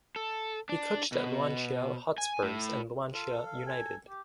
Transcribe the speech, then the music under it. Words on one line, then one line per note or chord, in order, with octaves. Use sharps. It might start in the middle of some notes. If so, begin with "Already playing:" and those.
He coached at Luanshya Hotspurs and Luanshya United.
A4
D4
B2
G#5
A2
F4 A4
F5
G#5
G4